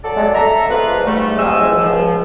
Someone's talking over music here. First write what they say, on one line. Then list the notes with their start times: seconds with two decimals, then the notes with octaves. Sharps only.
Okay, fair, fair. It's not for everybody.
0.04 F#3 A4 D5
0.35 A4 E5 A#5
0.71 F3 G#3 A#3 F4 B4
1.06 G#2 G3 A3
1.38 G#2 G#3 C4 D#5 G#5 E6
1.77 C#2 F3